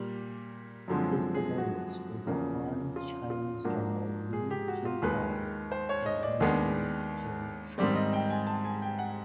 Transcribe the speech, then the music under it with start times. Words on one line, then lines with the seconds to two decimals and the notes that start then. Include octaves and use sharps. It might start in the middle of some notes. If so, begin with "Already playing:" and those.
His subordinates were the Han Chinese General Liu Jintang and Manchu Jin Shun.
Already playing: A#2 G3 A#3 G4
0.88 F#2 D3 F3 G#3 C4
1.34 G#4
1.58 F#4
2.27 E2 C#3 F3 A#3
2.96 F4
3.30 F4
3.64 G#2 F3 A#3 D4 F#4
4.33 G#4
4.51 G4
4.68 F#4
4.85 F4
5.02 D#2 D#3 G#3 B4
5.72 C5
5.89 C#5
6.06 D#5
6.23 D5
6.40 D#2 D#3 G#3 B3 D4
7.78 G#2 D#3 G3 C4 D5
7.95 D#5
8.13 G5
8.30 G#5
8.47 A5
8.65 G#5
8.82 G5
8.99 F#5